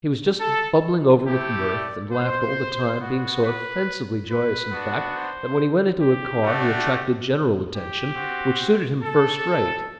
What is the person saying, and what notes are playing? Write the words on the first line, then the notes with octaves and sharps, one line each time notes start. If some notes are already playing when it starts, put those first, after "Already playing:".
He was just bubbling over with mirth, and laughed all the time, being so offensively joyous, in fact, that when he went into a car, he attracted general attention, which suited him first-rate.
A4
A3 E4 G4
D5
C5
B3 F#4
B4
B4
B3 D4 F#4
C5
G4
A3 D4 F#4
G4
C4 F#4
A4